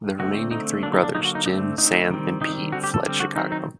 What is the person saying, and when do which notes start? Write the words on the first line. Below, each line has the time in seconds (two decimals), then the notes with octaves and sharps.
The remaining three brothers Jim, Sam, and Pete fled Chicago.
0.19 D3 A3 C4 F#4
0.51 D3 A3 C4 D#4
0.83 D3 F#3 A#3 D4
0.93 D#4
1.03 D4
1.14 D3 F#3 A#3 D#4
1.25 F#4
1.35 D#4
1.46 D3 A3 C4 D#4
1.78 D3 A3 C4 D#4
2.10 D#3 G3 C4
2.41 D#3 G3 C4 D#4
2.72 D3 G3 C4 F#4
2.84 G4
2.94 A4
3.05 D3 G3 C4
3.20 F#4
3.36 D#3 F#3 C4 D#4
3.52 D#4